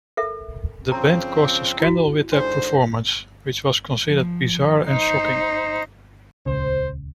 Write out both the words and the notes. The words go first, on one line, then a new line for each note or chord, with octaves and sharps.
The band caused a scandal with their performance, which was considered bizarre and shocking.
A4 A#4 E5
C#3 F3 C4 A#5
E4 F#4
G#2 D3 D4 C5
F3
D#4 C5
D#1 C#2 C#3 C5